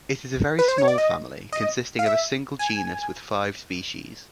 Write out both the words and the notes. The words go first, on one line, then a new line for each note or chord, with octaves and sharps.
It is a very small family, consisting of a single genus with five species.
B4
C5
C#5
D5
D#5
D#5
F5
E5
G#5